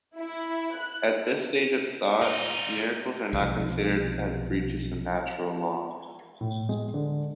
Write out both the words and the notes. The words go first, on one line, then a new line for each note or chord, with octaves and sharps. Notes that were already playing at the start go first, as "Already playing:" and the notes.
At this stage of thought, miracles are not considered as breaches of natural law.
E4
F#6
D#4 F4
B1 C3 F3
A2
G#3
D3